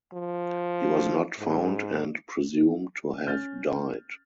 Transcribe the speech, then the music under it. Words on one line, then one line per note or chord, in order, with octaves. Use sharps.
He was not found and presumed to have died.
F3
G#2
C#4 F6 G6 A6